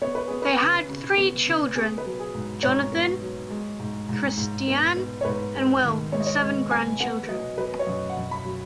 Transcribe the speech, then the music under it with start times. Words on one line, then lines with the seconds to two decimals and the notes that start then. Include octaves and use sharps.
They had three children, Jonathan, Christianne and Will, and seven grandchildren.
0.02 B3 C#5
0.15 B4
0.28 B3 G#4
0.42 B4
0.60 C#3
0.89 C#3
1.18 B3
1.47 C#3
1.76 B3 G#4
1.98 B4
2.06 F#3
2.20 G#4
2.34 G#2
2.63 G#2 C#5
2.92 B3
3.22 F#3
3.50 G#3
3.80 G#2
4.09 G#2
4.38 G#2
4.68 B3
4.97 B3
5.21 C#5
5.25 G#2 B4
5.55 G#3
5.84 D#3
6.12 G#3 C#5
6.20 D#5
6.27 C#5
6.42 G#3
6.71 B3 G#5
7.00 B3 F#5
7.29 F#3 D#5
7.58 F#3 B4
7.79 C#5
7.87 F#2 D#5
8.10 F#5
8.17 F#2
8.31 B5
8.45 F#3